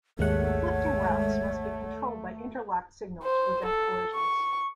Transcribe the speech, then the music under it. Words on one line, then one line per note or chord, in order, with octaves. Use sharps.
Conflicting routes must be controlled by interlocked signals to prevent collisions.
G#1 D#2 G#3 A3 C#5 F#5
C5
A4
C#6